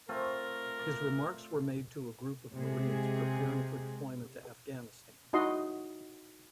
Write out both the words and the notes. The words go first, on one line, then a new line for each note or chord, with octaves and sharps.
His remarks were made to a group of Marines preparing for deployment to Afghanistan.
A3 C4 F4 A#4
D5
C3 G#3 G#4
D#4 E4 F#4 D#5 C6